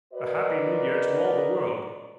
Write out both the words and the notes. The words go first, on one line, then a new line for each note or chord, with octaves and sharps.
A happy New Year to all the world!
F#4 A#4 B4 D5 D#5